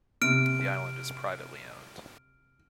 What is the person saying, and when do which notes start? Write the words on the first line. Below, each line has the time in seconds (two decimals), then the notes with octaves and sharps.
The island is privately owned.
0.22 C3 F6 D7